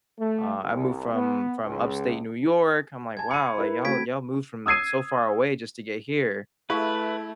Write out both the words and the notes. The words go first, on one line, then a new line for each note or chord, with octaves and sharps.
uh, I moved from from Upstate New York." I'm like, "Wow, like, y'all y'all moved from so far away just to get here."
A3
C2
B3
C#2
G#5 A5 G#6
B5 C#7 D#7
E4 A#4 B4
A3 C4 F#4 G#6 B6 D7
D#6 E6 G#6 C7 D#7
A3 E4 G#4 B4 F5 C#6